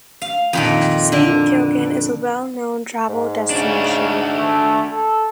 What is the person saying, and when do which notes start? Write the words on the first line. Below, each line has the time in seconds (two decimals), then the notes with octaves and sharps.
Saint Gilgen is a well-known travel destination.
0.22 F5
0.53 F2 A#2 D#3
1.12 D3
3.09 G#2
3.50 C#3 D4 F#4
4.36 A3
4.91 A4